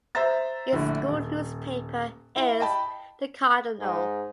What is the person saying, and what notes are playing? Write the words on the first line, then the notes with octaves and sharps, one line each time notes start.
Its school newspaper is "The Cardinal".
C5 E5 A#5 E6 A6
A#1 A2 D3
D#1
E4
D#5 G5 A5 B5
G#2